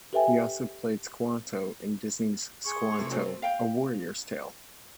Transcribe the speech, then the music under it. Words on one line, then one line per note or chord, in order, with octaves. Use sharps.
He also played Squanto in Disney's Squanto, a Warrior's Tale.
G4 A4 B4 E5 G5 G#5
G#4 C6 C#6
C3 A3
F#3 A3 C4
F5 G5